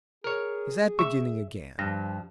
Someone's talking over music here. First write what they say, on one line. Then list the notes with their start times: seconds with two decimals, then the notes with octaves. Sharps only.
Is that beginning again?'
0.24 G#4 A#4 C#5
0.99 E5 C#6
1.79 G2 F3 A#6